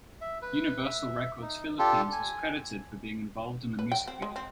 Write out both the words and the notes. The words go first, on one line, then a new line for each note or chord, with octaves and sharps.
Universal Records Philippines was credited for being involved in the music video.
E5
B4
E5
D#4
D4 F4 G4 A4
G#5
B4
G5
C4
G#3
C4